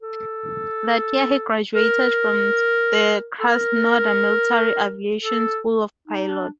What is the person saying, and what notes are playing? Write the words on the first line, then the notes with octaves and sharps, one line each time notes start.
That year he graduated from the Krasnodar Military Aviation School of Pilots.
A4
A#4
A4
A#4
A4
D#4
D4